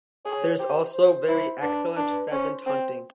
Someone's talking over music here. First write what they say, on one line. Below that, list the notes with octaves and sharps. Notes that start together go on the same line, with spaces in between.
There is also very excellent pheasant hunting.
G#4 C#5
G4 C5
C5
E4
D4 B4
D4
C#4 C5
C4 C5